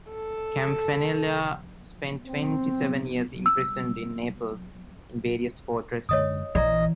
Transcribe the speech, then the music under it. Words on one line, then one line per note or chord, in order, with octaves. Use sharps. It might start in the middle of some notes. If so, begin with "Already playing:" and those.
Campanella spent twenty-seven years imprisoned in Naples, in various fortresses.
A4
C4
E6
F#2 D3 G#3 C#5 D#5 D#6
A#1 E3 D5 D#5 A#5